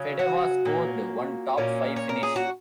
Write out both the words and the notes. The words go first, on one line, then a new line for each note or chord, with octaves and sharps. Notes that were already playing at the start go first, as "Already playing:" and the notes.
Fedewa scored one top five finish.
Already playing: C#3 F#3 C#4
F#4
A#2 A#3 C#4
A#2 A#3 C#4
C#5
A#4
G#4
F#4